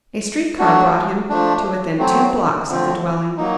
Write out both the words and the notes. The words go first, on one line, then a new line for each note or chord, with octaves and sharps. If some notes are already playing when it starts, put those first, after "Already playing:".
A street car brought him to within two blocks of the dwelling.
F#3 A3 D4 F#4
F3 A3 D4
F#3 A3 C4
D3 F3 A3 C4
F#3 A#3 D#4